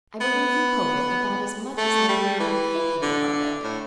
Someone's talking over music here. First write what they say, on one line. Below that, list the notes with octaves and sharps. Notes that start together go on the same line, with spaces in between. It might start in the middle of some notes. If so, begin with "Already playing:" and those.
"I believe you hope it about as much as I believe him capable of it."
B3
A3
G3
E3
D3
A2